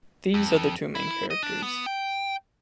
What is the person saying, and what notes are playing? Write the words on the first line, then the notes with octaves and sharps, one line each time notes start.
These are the two main characters.
F2
E4
D#5
D4
B3
G5